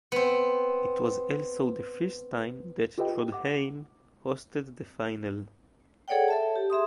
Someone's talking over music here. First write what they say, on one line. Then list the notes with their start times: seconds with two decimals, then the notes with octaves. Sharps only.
It was also the first time that Trondheim hosted the final.
0.12 B3 C4
2.98 F4 G4 A4 B4 D#5 G5
3.32 F#5 D6
6.08 G#4 A4 C#5 D5 F#5 G5
6.28 A4 E5 A5
6.56 G4
6.70 G#4 E5 C6 D#6